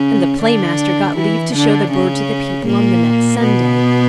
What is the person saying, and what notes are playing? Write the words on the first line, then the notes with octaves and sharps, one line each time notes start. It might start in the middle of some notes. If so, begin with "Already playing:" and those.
And the Play-master got leave to show the bird to the people on the next Sunday.
Already playing: C#3 C#4
D3 D4
E3 E4
D3 D4
C#3 C#4
A#2 A#3
B2 B3